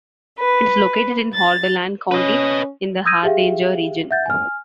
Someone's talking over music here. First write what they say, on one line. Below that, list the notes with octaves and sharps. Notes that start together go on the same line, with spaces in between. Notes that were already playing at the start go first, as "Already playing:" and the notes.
It is located in Hordaland county in the Hardanger region.
B4
A6
C#4 B4 D#5
D#6 E6 G6 G#6 A#6 D#7
G4 G#4 E5 F5 G5
E5 F#5 G6 A6
G#5 F6